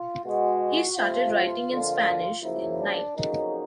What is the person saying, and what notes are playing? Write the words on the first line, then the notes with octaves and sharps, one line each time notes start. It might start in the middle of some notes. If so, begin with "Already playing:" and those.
He started writing in Spanish in "Night".
Already playing: F4
B2 G#3 F#4
C3 F3 A3 F4
F2 D3 F3 A#3
F#2 C#3 F3 A#3 E4
D4
F2 C#3 F#3 A#3 D#4